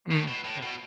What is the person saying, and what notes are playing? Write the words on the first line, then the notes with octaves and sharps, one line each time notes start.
Mm. Yeah.
A2
B2
A2
B2